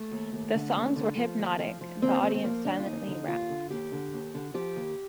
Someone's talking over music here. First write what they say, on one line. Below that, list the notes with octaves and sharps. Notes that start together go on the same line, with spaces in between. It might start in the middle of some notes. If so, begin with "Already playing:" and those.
The songs were hypnotic, the audience silently rapt.
Already playing: A3
D#2
D#2
D3
D#2
D3
F3
D#2
F3
F3
D#2 C4
D#2 C4
C4
F3 A#3
D#2 D4
F4
D#2 D#4
D3
D#2 F4
D3
D#2 G4
D3
D#2
D3
F3 G4
D#2